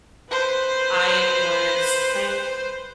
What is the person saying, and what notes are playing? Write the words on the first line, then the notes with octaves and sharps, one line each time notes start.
I was planning
B4 C5